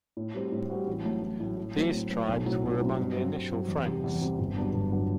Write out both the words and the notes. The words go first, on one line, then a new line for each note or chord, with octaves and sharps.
These tribes were among the initial Franks.
A2
G3 C4 F#4
A2
G3 C4 F#4
A1
A2 F#3 A3
A1
A2 F#3 A3
A2
F#3 A3 C4
A2
F#3 A3 C4
B1
A2 F#3 C4
B1
A2 F#3 C4
G2
F#3 C4
G2
F#3 C4
E2
C3 G3 C4
E2
C3 G3 C4
G1
G2 F#3 B3 D4
G1
F#3 B3 D4